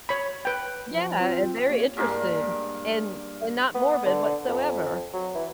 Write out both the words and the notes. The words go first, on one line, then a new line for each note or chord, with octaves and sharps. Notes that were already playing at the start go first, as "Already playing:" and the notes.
Yeah, and very interesting and and not morbid whatsoever.
C#5 B5
B4 G5
F3
C4 F4
G2 A#3 C#5
G2 G#3 A#3
B3
D3
F2
F#3
E3